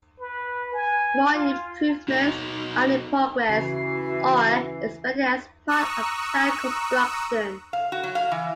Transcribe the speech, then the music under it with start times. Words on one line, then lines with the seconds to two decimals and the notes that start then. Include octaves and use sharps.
More improvements are in progress or expected as part of planned construction.
0.19 B4
0.73 G#5
1.34 F4
2.08 B2 D#4
3.49 C#3 E3 F#4 C7
5.68 A#5 C#6 D#6 E6 F#6
7.73 F5
7.92 F#4
8.03 F#3
8.15 F5
8.31 E3